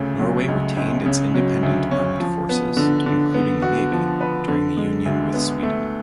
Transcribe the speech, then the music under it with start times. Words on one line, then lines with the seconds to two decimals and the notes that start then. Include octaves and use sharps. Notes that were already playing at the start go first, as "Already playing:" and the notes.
Norway retained its independent armed forces, including the navy, during the union with Sweden.
Already playing: D2 C#3 A3
0.19 F#3
0.48 C#2
0.77 C#2
1.06 C#3
1.35 F#3
1.63 D2
1.91 C#4
2.20 F3
2.49 B3
2.77 D3
3.06 D3
3.34 B3
3.62 F#4
3.92 F3
4.21 B4
4.48 D3
4.77 G#3
5.06 D2
5.34 B3
5.63 A3